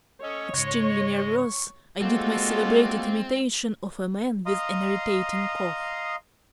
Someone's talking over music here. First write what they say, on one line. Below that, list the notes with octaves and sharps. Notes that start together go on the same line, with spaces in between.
Extremely nervous, I did my celebrated imitation of a man with an irritating cough.
C#4 A4 C#5 D#5
G#2 C#3 G#3 D#5 C#6
G3 G#3 A#3 C4 F4 F#4 A4
D#5 F5 A#5 C6 D#6